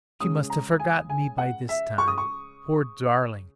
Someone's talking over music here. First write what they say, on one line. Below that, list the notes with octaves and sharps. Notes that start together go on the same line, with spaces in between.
She must have forgotten me by this time, poor darling!
C#3 G#3 C#4 D#6
A#5
G#5
G#5
F#5
E5
C#6
D#6
C#6